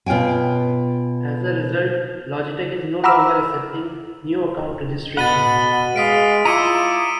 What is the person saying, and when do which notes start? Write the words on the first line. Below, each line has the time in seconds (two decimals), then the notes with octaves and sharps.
As a result, Logitech is no longer accepting new account registrations.
0.06 B2 F4 C#5 G5 G#5
3.04 F#5 A#5 B5 D6 E6 F6
5.17 B2 F#5 B5 A6 D#7 G7
5.96 G#3 F5 D#6 B6 D7
6.45 E4 F4 A#5 C6 D6 D#6 C#7 D#7